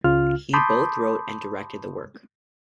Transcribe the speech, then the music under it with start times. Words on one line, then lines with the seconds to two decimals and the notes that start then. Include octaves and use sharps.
He both wrote and directed the work.
0.04 C#2 C#3 F4 F6
0.53 A5 B5 C6 D6 D#6 G6